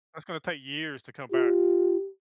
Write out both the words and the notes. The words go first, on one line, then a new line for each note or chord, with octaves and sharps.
that's gonna take years to come back.
F4 G4